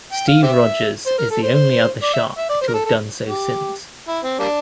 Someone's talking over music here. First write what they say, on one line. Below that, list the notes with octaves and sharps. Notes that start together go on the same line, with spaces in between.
Steve Rogers is the only other Shark to have done so since.
G5
F5
G4 C5 E5
C5
A#4
A4
C5
C5
D5
E5
E5
D5
C5
A#4
A4
A4
G4
E4
C4
G3 A#3 D4